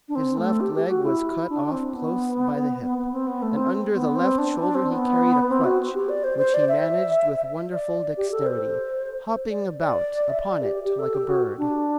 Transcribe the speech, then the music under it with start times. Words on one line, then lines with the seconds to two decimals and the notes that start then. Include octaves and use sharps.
His left leg was cut off close by the hip, and under the left shoulder he carried a crutch, which he managed with wonderful dexterity, hopping about upon it like a bird.
0.08 D4
0.15 C4
0.37 A3
0.60 G4
0.74 G4
0.90 F#4
1.04 E4
1.49 D4
1.72 C4
1.94 B3
2.82 B3
2.98 B3
3.12 C4
3.27 B3
3.42 A3
3.56 C4
3.94 B3
4.16 C4
4.38 D4
4.61 D4
4.75 C4
4.90 B3
5.49 C4
5.64 F#4
5.94 G4
6.09 D5
6.24 C5
6.38 C5
6.54 D5
6.68 E5
7.72 D5
8.17 G4
8.32 A4
8.46 C5
9.50 D5
9.80 D5
10.30 E5
10.39 D5
10.62 G4
10.84 G4
10.99 A4
11.14 G4
11.28 F#4
11.58 D4